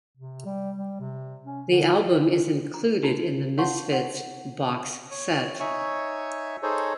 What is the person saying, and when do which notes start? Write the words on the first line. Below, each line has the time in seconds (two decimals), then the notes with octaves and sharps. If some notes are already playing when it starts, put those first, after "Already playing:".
The album is included in The Misfits' "Box Set".
0.17 C3
0.45 G3
0.76 G3
1.00 C3
1.44 C#4
1.68 D3
2.74 A#5
3.03 D#4 F#4 A#5
3.58 C#5 F5 F#5 A5 C6 C#6
3.92 D#4 F#5
5.11 C#5
5.60 D#4 C#5 E5 G#5 C#6
6.63 D#4 G#4 A4 C5 C#5